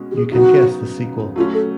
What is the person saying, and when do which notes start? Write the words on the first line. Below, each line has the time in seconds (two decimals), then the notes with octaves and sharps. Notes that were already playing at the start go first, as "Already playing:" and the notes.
You can guess the sequel.
Already playing: B2 G#3 C#4
0.11 G4
0.15 G#4
0.32 C#3 F#3 B3 D#4 F#4
1.36 F#3 A3 C#4 F4
1.53 A4